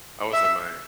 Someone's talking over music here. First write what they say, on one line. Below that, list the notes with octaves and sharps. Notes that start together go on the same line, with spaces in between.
I was at my
E5